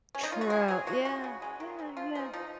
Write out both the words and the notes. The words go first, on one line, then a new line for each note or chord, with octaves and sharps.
True. Yeah. Yeah, yeah.
C#4
D#4
F4
F#4
C#3 G#4
F#3 C4 G#4
F3 F#4
G#3 C#4 F#4
C#3
G#3 C#4
D#3
G#3 C4
F3 F4
G#3 C4 D#4
F3 D#4